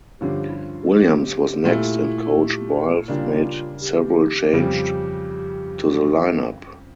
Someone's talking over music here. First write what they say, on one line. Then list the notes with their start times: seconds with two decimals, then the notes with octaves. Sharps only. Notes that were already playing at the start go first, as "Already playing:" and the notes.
Williams was next and coach Bawlf made several changed to the lineup.
0.20 G2 D3 F3 C#4 G4
0.49 E4
0.57 F4
0.83 A4
0.93 G4
1.64 A#2 A3 E4
2.37 G4
3.08 C#3 G3 A#3 D4 F4
3.81 G4
4.53 F2 C#3 G3